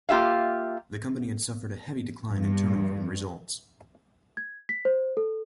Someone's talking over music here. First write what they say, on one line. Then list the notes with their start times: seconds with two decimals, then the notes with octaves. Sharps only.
The company had suffered a heavy decline in turnover and results.
0.09 A#3 F4 G4 E5 F5
2.31 G2
4.37 G#6
4.69 B6
4.85 C5
5.17 A4